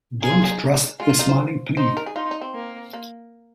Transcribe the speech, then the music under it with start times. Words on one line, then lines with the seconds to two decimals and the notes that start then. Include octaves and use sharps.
Don't trust the smiling penguin.
0.22 G#4 A#4
0.32 F4
0.42 A#3
0.51 D#4
0.74 D#4
1.00 G#3 F4
1.09 A#3
1.19 D#4
1.29 C5
1.77 D#4 C5
1.97 A#4
2.06 G#4
2.16 D#4 F4
2.31 D#4
2.41 C4
2.54 A#3
2.93 A#3